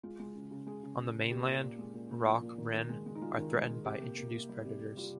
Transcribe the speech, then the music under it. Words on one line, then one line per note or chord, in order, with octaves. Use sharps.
On the mainland, rock wren are threatened by introduced predators.
G#3 F4
G#3
C#3
C#3
G#3 G#4
C#3
C#3
C#3
A#2 G4
A#2
A#2
G#3
A#2
A#2
F3
A#2
D#3
D#3
G#3
G#3
D#4
G#3 F4
D#3
G#3
G#3
C3 G4
A#3
A#3
A#3
G3
C3
C3
G3 F4